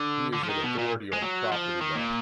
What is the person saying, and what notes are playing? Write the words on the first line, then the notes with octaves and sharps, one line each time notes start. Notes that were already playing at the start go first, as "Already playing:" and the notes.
He is an authority on Property Law.
Already playing: D3
D3
F3
D#3
B2
A#2
G#3
F#3
F3
D#3
A#2